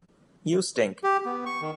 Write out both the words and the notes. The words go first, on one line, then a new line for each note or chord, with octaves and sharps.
You stink.
G4
B3
C#6
D#3